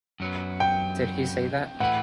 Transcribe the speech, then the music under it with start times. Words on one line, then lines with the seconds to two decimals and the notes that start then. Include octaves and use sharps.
Did he say that?
0.20 F#2 F#3 B3
0.60 G5
1.80 A2 E3 A3 E4 B4 F#5